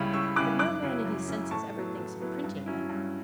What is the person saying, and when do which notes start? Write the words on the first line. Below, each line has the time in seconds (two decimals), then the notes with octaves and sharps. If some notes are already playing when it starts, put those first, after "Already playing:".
But no man in his senses ever thinks of printing them.
Already playing: C#2 C#3 G3 C#4 E4 B5
0.13 C#2 C#6 E6
0.36 C#3 G3 C#4 E4 D6 F#6
0.59 F#2 D6 F#6
0.82 C#3 F#3 C#4 E4
1.05 F#2
1.29 C#3 F#3 C#4 E4
1.51 A2 A5 C#6
1.74 F#3 B3 E4
1.97 A2
2.20 F#3 B3 E4
2.44 G2
2.66 F#3 C#4 E4
2.89 G2